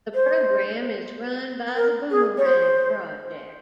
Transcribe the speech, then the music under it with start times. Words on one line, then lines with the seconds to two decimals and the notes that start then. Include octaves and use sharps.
The program is run by the Boomerang Project.
0.14 C5
1.76 A#4
2.11 G#4
2.38 C#5
2.46 C5